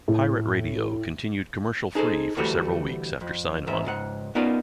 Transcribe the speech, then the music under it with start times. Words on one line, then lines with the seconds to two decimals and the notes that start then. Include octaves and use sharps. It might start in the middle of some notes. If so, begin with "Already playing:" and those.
Pirate Radio continued commercial-free for several weeks after sign on.
0.08 A2
1.95 D#4 G#4 A4 C5
2.37 D2 E3 G3 A3 F#4
3.21 F2
3.67 E2 G#2 E5
3.85 C#2 G#2 F#5
4.35 B3 C#4 D#4 F4 A#4 D5